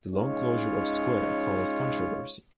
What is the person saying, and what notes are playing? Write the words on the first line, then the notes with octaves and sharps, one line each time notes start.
The long closure of square caused controversy.
G#3 C#4 D#4 F4 C#5